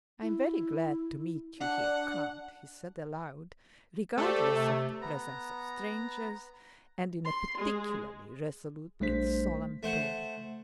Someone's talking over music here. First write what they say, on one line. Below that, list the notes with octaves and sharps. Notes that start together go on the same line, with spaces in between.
"I am very glad to meet you here, Count," he said aloud, regardless of the presence of strangers and in a particularly resolute and solemn tone.
E4
D4 F#5
A3 G4 C5 D5
C3
B3 A#5
C6
G#3
A#1 G3 A3 D4 C5 B6
A3 C5 F#5